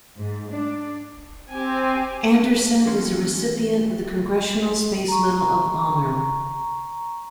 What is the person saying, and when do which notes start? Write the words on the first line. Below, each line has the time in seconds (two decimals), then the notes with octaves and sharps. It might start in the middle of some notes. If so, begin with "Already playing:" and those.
Anderson is a recipient of the Congressional Space Medal of Honor.
0.17 G#2
0.52 D4
1.49 C4 G4 G#5
2.86 E2 G#3 C#4 C6
5.08 A#5 C#6